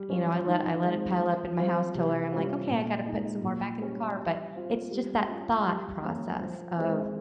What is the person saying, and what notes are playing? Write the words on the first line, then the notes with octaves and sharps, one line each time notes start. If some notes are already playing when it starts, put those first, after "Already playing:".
you know, I let I let it pile up in my house till where I'm like, "Okay, I gotta put some more back in the car," but it's just that thought process of
Already playing: G3
C#4 F4
D#3
G#3 C4
F3
C4 F4
C3
G3 C#4 F4
A#2
G#3 D#4
A#2
G3 C#4
G3
C4 F4
G3
C#4 F4
G3
A#3 C#4
F3
G#3 C4